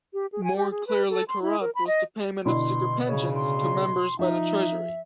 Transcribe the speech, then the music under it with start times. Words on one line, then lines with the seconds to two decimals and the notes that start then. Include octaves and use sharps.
More clearly corrupt was the payment of secret pensions to Members by the Treasury.
0.14 G4
0.32 G#4
0.44 G#5
0.56 G4
0.71 G#4
0.87 B4
1.10 A4
1.28 C6
1.42 E4
1.61 A#4
1.75 B5
1.87 D#5
2.46 B2 D3 E4 C6
3.07 C#3 C#5
3.35 C6
4.19 F3 D#4 E5